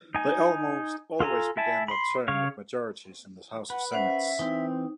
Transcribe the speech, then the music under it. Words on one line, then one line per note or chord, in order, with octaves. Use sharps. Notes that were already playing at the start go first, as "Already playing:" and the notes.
They almost always began their term with majorities in the House and Senate.
D#4 G#5
F4 A4 G#5 A#5
E4 E5 G#5 A5
B5 C6
C#3 C#5 F5
B4 F#5
C#4 C5 E5 F#5
E3 C4 D#4